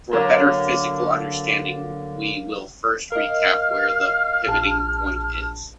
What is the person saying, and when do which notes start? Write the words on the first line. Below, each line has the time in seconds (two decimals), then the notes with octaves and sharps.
For a better physical understanding, we will first recap where the pivoting point is.
0.13 D3 F#3 A#3 A#4
3.12 A#4 D#5 F5 F6
4.47 A#1 A5